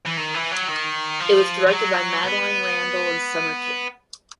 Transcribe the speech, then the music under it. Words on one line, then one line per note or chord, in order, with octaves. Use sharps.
It was directed by Madeline Randall and Summer King.
E3
D#3
E3
F#3
D#3
F3
F3
F#3
B3